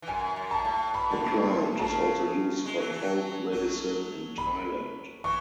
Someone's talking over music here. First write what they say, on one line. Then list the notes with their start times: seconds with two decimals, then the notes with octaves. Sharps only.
The plant is also used for folk medicine in Thailand.
0.02 E3
0.08 F#2 G#5
0.36 F#2
0.51 A5
0.65 A2
0.94 B2 B5
1.11 D3
1.20 C#3
1.28 B2
1.36 A2
1.79 C#3 A5
2.66 G#3
2.78 F#3
2.90 E3
3.02 F#3
3.52 F#3
4.38 B5
5.24 E3 C#6